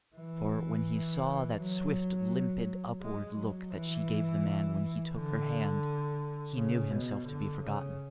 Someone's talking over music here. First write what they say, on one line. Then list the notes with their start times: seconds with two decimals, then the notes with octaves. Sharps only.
For, when he saw that swift, limpid, upward look that she gave the man when he took her hand, he knew himself to be forgotten.
0.16 E3
1.59 F#3
3.00 G#3
3.36 F#3
3.71 E3
5.14 D3
6.55 C#3
6.91 B2
7.27 D3
7.62 C#3